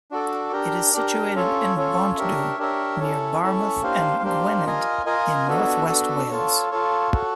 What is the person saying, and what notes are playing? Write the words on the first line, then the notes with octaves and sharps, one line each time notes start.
It is situated in Bontddu, near Barmouth in Gwynedd in north-west Wales.
D4 F#4 A4 D5
D4 G4 A#4
D4 G4 A#4
C#4 F4 A4 C#5
C#4 F4 A4 C#5
D4 G4 A#4 C#5 E5
D4 G4 A#4 C#5 E5
C#4 E4 A4 C#5
C#4 E4 A4 C#5
A#3 D4 G4 C5 F5
A#3 D4 G4 C5 F5
F4 A#4 D#5 G#5
F4 A#4 D#5 G#5
B3 D4 F#4 A4
B3 D4 F#4 A4
F4 A4 C#5
F4 A4 C#5
F#4 A4 C#5